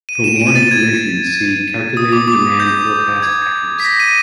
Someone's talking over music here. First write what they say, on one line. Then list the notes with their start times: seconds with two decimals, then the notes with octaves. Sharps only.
For more information see Calculating demand forecast accuracy.
0.09 D#7
0.24 E7
0.36 D7
0.40 D#7
0.55 A6
0.71 G#6
1.97 D#6
2.13 D6
2.28 D6
2.60 G6
3.23 G#6
3.80 B6
3.85 A#6
4.00 D#7